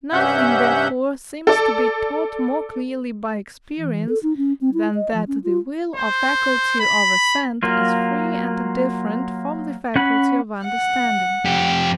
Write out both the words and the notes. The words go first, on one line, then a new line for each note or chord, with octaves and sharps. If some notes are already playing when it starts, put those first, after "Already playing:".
Nothing therefore seems to be taught more clearly by experience, than that the will or faculty of assent is free and different from the faculty of understanding.
G2 C3 C#4 E5 F#5 G6
A4 D5
E3
A4
D#4
C#4
C4
E4
D#5
F3
C#4
F4
C5
B5
F#3 A#3 F4
C#4 F#5 B5
F#5
F2 G4